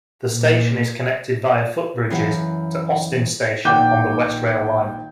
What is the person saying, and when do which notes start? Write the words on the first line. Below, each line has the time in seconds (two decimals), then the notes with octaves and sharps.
The station is connected via footbridges to Austin Station on the West Rail Line.
0.23 A#2
2.10 F#2 E3 F5 F#5
3.65 A#1 D#3 F#5 G5 D6 G6